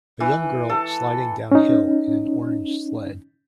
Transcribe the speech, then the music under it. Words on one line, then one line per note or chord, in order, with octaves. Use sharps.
A young girl sliding downhill in an orange sled.
E3
A4
C#4 D#4